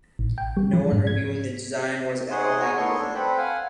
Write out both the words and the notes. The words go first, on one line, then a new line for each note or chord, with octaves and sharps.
No one reviewing the design was at all happy with it.
A1
G5
G3
F3
G#2
G#6
D#4 G#4 C#5 F#5 C6
F#4 G#4 C#5 G#5 A#5
B3 D#4 A4 C#5 C6 C#6
D4 A4
C4 A4 B4 C5 G5 B5
F5 F#5 G#5